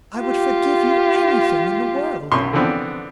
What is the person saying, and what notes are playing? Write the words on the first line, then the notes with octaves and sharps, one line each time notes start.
I would forgive you anything in the world!
F4 G4
B1 F#2 C6 C#6
D3 E3 F3 B3 C4 D4